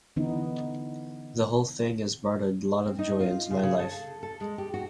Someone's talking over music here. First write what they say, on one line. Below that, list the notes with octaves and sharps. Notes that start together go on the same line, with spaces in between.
The whole thing has brought a lot of joy into my life.
D3 E3 B3 D#4
C4
D#4
F4
C#3
C#3
A4
A4
G#3
G4
F#4